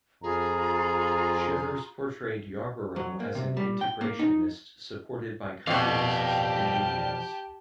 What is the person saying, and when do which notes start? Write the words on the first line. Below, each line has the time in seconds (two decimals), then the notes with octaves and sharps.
Shivers portrayed Yarborough as an integrationist supported by communists and unions.
0.23 F2 F4 G#4 A#5 B5
2.96 F#3
3.20 A#3
3.35 C3
3.57 G3
3.81 G5
4.01 A#3
4.19 D#4
5.67 F2 B2 G4 D5 F5 G5 A5